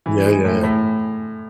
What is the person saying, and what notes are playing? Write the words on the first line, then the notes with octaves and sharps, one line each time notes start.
Yeah, yeah, yeah.
E3
G#3
A2
A2